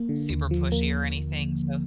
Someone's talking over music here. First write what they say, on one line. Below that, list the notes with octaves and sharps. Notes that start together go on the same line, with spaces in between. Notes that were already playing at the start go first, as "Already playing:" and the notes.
super pushy or anything, so
Already playing: A#3
D3
D#2
F3
A#3